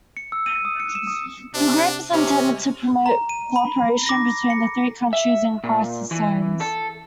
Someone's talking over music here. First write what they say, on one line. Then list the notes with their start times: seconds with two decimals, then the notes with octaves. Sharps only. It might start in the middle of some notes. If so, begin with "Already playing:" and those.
The group is intended to promote co-operation between the three countries in crisis zones.
0.17 C#7
0.32 E6
0.46 D#7
0.65 D#6
0.80 C#7
0.95 E7
1.07 D#6
1.54 C3 D4
2.13 C3 C#4
3.06 A#5
3.29 D#7
3.56 B5
4.06 D6 A#6
4.50 C#7
5.13 E5
5.64 A#2
6.11 E3
6.60 A4